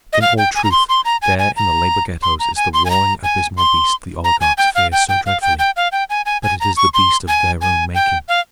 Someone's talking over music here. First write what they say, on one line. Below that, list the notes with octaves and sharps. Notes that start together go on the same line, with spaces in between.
In all truth, there in the labor-ghettos is the roaring abysmal beast the oligarchs fear so dreadfully--but it is the beast of their own making.
D#5
F5
G5
G#5
A#5
C6
C6
A#5
G#5
G#5
A#5
C6
A#5
G#5
C6
G#5
A#5
G#5
C6
A#5
G#5
G5
F5
G5
G5
F5
G5
G5
F5
G5
G#5
G#5
G#5
A#5
C#6
C6
G#5
G#5
G5
F5